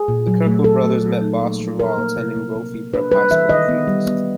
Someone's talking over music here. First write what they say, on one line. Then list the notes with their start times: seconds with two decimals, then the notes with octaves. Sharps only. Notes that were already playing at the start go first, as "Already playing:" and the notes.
The Kirkwood brothers met Bostrom while attending Brophy Prep High School in Phoenix.
Already playing: G#4
0.08 A#2
0.27 F#3
0.46 A3
0.64 A#2 A4
0.84 A3
1.03 F#3
1.22 D#4
1.41 A#3
1.60 F3
1.79 F3 A#4
1.98 A#3
2.17 C3
2.36 A#3
2.56 A#3
2.74 A#3
2.93 D4 B4
3.11 G3 B4
3.31 E3 E5
3.49 D#3 D#5
3.69 B3
3.87 G3
4.06 B3